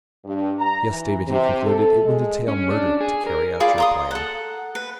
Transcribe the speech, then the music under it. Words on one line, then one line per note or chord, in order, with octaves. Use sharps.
"Yes, David," he concluded, "it would entail murder to carry out your plan."
G2
A#5
E3
C3
A4
G#3
C#4
D4
G#4
A#4
F4 G#4 D5 B5
A#5 C6 D#6
A4 F#5
B4